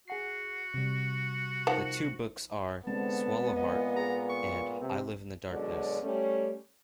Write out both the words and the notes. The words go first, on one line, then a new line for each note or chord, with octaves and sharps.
The two books are Swallow Heart and I live in the darkness.
F#4 G#4 F#5 C7
C3 G3
D#3 F3 F#5
D3 G#3 B3 C4 A5
A#2 D#5
G#4 A#5
C#6
C3 C4
F#2 B2 D3 F#3 G#3 D5
G3 A3 C#4